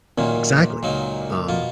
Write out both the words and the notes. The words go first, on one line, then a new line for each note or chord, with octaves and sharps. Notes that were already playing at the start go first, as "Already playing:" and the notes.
Exactly. Um,
F#2 A#2 D#3 A#3 C#4
C#2 C#3 F#3 A#3 D#4
B2 A#3 F4